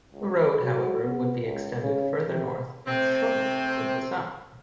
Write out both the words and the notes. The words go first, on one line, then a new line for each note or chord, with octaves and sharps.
The road, however, would be extended further north and shortened to the south.
C#2
F#3
B3
C#2
C#3
C3
C3 A3 C4